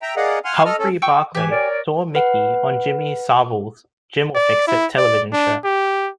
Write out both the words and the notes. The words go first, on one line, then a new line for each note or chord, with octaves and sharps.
Humphrey Barclay saw Mickey on Jimmy Savile's 'Jim'll Fix It' television show.
E5 G5 A#5
G#4 A#4 D5 D#5 F5 F#5
F5 F#5 G#5 C6 F6
A4 D#5 F6
C#4 A4
G5 C#6 E6
E3 G4 G#5
A#4 C#5 D5
B4 F#5
D5
E4
D5
D4
G4